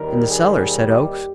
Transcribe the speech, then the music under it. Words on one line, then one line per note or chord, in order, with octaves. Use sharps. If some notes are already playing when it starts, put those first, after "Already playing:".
"In the cellar," said Oakes.
Already playing: D#2 D#3 G3 A#4
G#4
G4